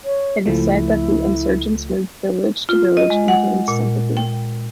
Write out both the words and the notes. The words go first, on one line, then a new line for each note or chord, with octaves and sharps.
It is said that the insurgents moved village to village and gained sympathy.
C#5
C#2 F3 A3 E4
F4
D#5
G#3
F#5
A#2
G5